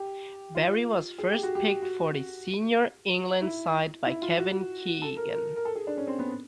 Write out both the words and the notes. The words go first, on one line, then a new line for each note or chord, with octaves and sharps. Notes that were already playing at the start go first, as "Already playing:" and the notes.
Barry was first picked for the senior England side by Kevin Keegan.
Already playing: G4
F4
G#4
G4
F#4
G4
F#4
E4
E4
F4
F#4
A4
A#4
A#4
A#4
A4
G#4
D4
C#4
C4
B3